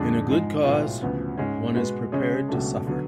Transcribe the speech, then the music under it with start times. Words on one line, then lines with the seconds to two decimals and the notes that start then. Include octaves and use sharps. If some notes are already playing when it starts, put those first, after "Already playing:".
In a good cause one is prepared to suffer.
Already playing: F2 D3 G#3 D4 G#4
0.26 G#2 F3 G#3
0.64 B1 A2 G#3 B3 F4
1.01 D2 C#3 F3 B3
1.37 G#2 G#3 C#4
1.74 B2 G#3 B3 F#4 B4
2.12 C#3 G#3 C#4 G#4 C#5
2.48 C#2 B2 F#3 A3 D4
2.87 D3 F#3 B3